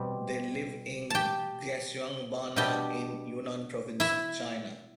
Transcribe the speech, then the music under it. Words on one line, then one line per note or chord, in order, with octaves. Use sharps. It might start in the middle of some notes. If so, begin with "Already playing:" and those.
They live in Xishuangbanna in Yunnan province, China.
Already playing: B2 G3 C4
G4 G5 A5
B2 G3 B3 D4 G4 G5
E4 E5